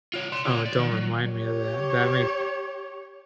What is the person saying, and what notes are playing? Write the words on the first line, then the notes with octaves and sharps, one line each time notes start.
Oh, don't remind me of that, that makes
F4 C#5
D5 C6
F4 C#5
D5
D#3
F#3
G4 C#5